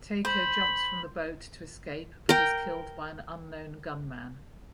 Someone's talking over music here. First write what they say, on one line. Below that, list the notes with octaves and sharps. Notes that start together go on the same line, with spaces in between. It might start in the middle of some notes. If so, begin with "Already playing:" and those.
Taeko jumps from the boat to escape but is killed by an unknown gunman.
C5 B5
A#4 G5